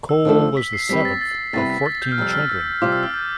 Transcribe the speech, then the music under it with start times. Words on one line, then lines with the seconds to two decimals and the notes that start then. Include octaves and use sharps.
Cole was the seventh of fourteen children.
0.09 E6
0.25 D3 F3 A3 D4 A4 E6
0.57 B6
0.73 C7
0.89 G3 C4 G4 B4 B6
1.05 A6
1.21 A6
1.53 C3 G3 B3 E4 B4 A6
1.70 B6
1.86 A6
2.02 G6
2.12 F6
2.18 F2 C3 G3 E6
2.32 F6
2.49 E6
2.82 C3 G3 C4 F4 D6
2.92 E6
3.03 F6
3.14 G6